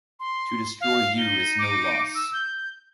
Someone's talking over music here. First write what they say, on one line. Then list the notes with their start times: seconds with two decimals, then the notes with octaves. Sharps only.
To destroy you is no loss.
0.20 C6
0.81 F5
1.17 D#4 G7
1.59 D6
2.15 E6
2.33 G6